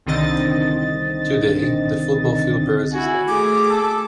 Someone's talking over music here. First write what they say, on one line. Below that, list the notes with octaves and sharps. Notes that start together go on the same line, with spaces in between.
Today, the football field bears his name.
C2 D3 D#3 C4 D#5 A6
E4 F#4 G#5
A3 G#4 D6
A4